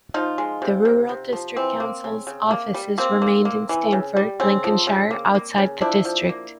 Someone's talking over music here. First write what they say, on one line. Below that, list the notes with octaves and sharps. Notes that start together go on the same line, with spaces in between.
The rural district council's offices remained in Stamford, Lincolnshire, outside the district.
F3 D#4 F4
G#3
C3
C3
C3
F3
E3 C4
A#3
C#3
C#3
A#3
G3
A#3 C4
A#3
A#3
E3
C#3
G3
C#3 C4
F3
C#3
A#3
A#3
C#3
F3 D4 E4
F3
A#3